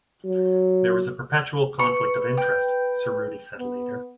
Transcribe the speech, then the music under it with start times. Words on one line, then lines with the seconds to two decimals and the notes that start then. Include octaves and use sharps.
"There was a perpetual conflict of interest", Cerruti said later.
0.25 F#3
1.79 B4 C#6
2.37 G5
3.59 B3